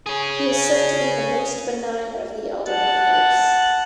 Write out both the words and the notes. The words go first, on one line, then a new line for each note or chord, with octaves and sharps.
He is said to be the most benign of the Elder Mythos.
C#4 G#4
F#5 A5